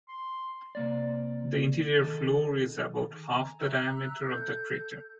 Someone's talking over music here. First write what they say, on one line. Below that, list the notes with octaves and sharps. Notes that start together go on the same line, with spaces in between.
The interior floor is about half the diameter of the crater.
C6
C3 A#3 D5
D#3 G#4 A4
G#5 A#5
E5 A#5 E6 F#6
A4 G6